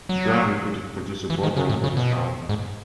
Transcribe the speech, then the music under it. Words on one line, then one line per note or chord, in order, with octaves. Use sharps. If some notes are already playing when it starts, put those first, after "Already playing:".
Bryan recruited producer Bob Rock for this album.
F#3
E3
D#3
C#3
A2
C#3
B2
G#2